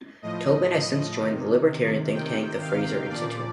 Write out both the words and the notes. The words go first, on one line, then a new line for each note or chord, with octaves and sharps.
Tobin has since joined the libertarian think-tank the Fraser Institute.
A2 F3 D#5
C3 D#3
C3 D#3 G5
F5
A#2 F3 D5